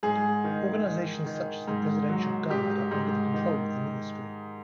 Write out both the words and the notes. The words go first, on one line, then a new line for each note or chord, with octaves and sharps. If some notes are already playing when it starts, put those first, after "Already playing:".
Organizations such as the Presidential Guard are under the control of the Ministry.
G#2 G#4
D#3
D#3
D#3
G#2
F#3
G#2 G4
G#2
D#3